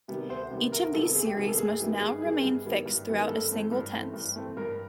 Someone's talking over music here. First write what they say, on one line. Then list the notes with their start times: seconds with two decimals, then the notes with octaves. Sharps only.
Each of these series must now remain fixed throughout a single tense.
0.08 C3 D#3 G3 B3
0.29 D2 C5
0.50 C3 D#3 G3 B3
0.72 D2 A#4
0.93 C3 D#3 G3 B3 A4
1.06 A4
1.15 D2 G#4
1.25 G4
1.37 C3 D#3 G3 B3 G#4
1.48 A4
1.57 G2 G#4
1.80 D#3 G3 B3 E4
2.00 G2 G#4
2.22 D#3 G3 B3 E4 G#4
2.43 G2
2.65 D#3 G3 B3 E4
2.86 G2
3.07 D#3 G3 B3 E4
3.28 G2 A4
3.50 E3 A3 C4
3.71 G2
3.93 E3 A3 C4
4.14 G2
4.36 E3 A3 C4
4.57 G2 A#4